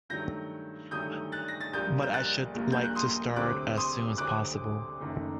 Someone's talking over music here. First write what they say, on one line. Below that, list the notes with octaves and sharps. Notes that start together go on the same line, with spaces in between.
But I should like to start as soon as possible.
G2 D#3 F#3 A3 G6 A#6
G2 D#3 F#3 A3 D#6 G6
F#6 A6
A#6
A6
A#1 A#2 G3 A#3 D#6 G6
G6
F#6 A6
A#1 A#2 G3 A#3
G6
F#6
C6 D#6
D2 C3 F#3 C4 D6 F#6
C6 D#6
D2 C3 F#3 C4 D6 F#6
F#1 F#2 D#3 A3